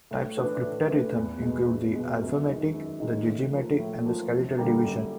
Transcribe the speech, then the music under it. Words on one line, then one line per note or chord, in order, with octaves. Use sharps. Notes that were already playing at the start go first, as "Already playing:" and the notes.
Types of cryptarithm include the alphametic, the digimetic, and the skeletal division.
A2
E3 A3 D4
A2
E3 A3 D4
E2
B2 G#3
E2
B2 G#3
F#2
D#3 G#3
F#2
D#3 G#3
A2
F3 A#3
A2
F3 A#3
F#2
D3 G3 A#3
F#2